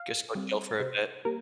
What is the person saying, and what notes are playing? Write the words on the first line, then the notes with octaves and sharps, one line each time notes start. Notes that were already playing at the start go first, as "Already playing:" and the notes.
Just go chill for a bit.
Already playing: F5
G3 C4
C3 C5
G3 A#3 A#4